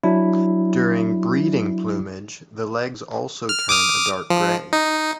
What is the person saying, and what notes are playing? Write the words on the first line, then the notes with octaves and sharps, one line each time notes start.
During breeding plumage the legs also turn a dark grey.
F#3 D4 E4
F6
D6 D#6 F6
F3
D#4